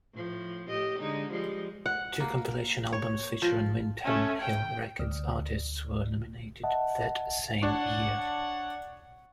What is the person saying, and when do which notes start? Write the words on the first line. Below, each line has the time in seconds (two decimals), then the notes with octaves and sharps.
Two compilation albums featuring Windham Hill Records artists were nominated that same year.
0.13 A2 F3
0.69 A2 G4 D#5
0.99 D3 G#3 D#4
1.30 F3 G3 G#3
1.86 F#5
2.20 A#3
2.92 C#5
3.42 F3
4.04 A3 C#4
4.41 G5
4.99 D2
6.63 D#5 E5 F#5 A5
7.63 D4 C#5 F#5